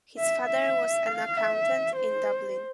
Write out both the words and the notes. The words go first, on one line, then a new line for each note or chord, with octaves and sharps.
His father was an accountant in Dublin.
E5
E5
F5
E5
C5